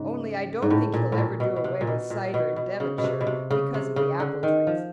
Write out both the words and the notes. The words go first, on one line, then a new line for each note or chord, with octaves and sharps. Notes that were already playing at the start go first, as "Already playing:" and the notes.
Only I don't think he'll ever do away with cider in Devonshire, because of the apple trees.
Already playing: G#2 C#3
G#2
A2
A#2
A2
A#2
B2
B2
C3
A#2
B2
A#2
B2
B2
C#3
B2
C3
B2
C3
C#3
C3
C#3
D3
D#3
F3